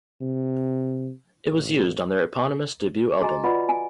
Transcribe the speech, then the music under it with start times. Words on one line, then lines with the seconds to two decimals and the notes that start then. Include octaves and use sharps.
It was used on their eponymous debut album.
0.21 C3
1.52 A1
3.21 F#4 G#4 D#5 G#5 A#5
3.43 F4 B4 D5 D#5 F#5 B5
3.69 G#5